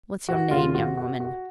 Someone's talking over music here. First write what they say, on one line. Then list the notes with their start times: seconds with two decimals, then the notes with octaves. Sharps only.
What's your name, young woman?'
0.29 F#4
0.51 D#2 C#3 F4
0.70 F4
0.75 F#4
0.97 F#4
1.20 F#4